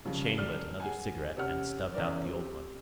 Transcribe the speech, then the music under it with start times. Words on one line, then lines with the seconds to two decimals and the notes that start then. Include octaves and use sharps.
He chain-lit another cigarette and stubbed out the old one.
0.05 C2 C#3 F3
0.36 D#1 D5 F6
0.80 G#4 F#5 G#5
1.37 C3 C#4 F#5 F6
1.94 E2 C#4 A#4 D5
2.25 C4 G4